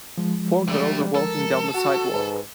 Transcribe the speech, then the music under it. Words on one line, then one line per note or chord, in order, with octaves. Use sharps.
Four girls are walking down the sidewalk.
F3 G#3
D3 G3 A3
A4 A#4
F#4 F#5
G#2 G#4 B4